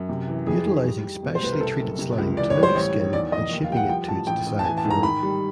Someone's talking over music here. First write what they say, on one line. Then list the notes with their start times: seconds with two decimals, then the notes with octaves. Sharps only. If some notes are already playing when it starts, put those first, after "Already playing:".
Utilizing specially treated slime to mimic skin and shaping it to its desired form.
Already playing: F#2
0.09 C3
0.28 E3
0.46 F2 G#4
0.66 D#3
0.84 G3
1.04 G3
1.23 B2
1.35 C5
1.42 C2 B4
1.53 A#4
1.61 C3 A4
1.80 F#1
1.99 C3
2.18 C#2
2.37 E3 D5
2.50 C#5
2.56 G3
2.63 C5
2.75 A1 C#5
2.94 D#3
3.13 E2 D5
3.32 F1 D#5
3.51 D#2
3.64 F5
3.70 G3 G5
3.77 F#5
3.89 F3 G5
4.08 A1 A5
4.27 A1 G5
4.46 A1
4.59 A5
4.65 E3 G#5
4.78 A5
4.84 G#2
4.90 A#5
5.03 D#3 B5
5.23 G3